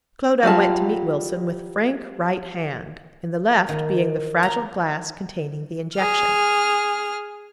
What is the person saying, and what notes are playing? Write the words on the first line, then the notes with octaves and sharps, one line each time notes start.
Clodagh went to meet Wilson with frank right hand, in the left being the fragile glass containing the injection.
F#3 G3 F4 A5
D#3
A#5
G#4 F6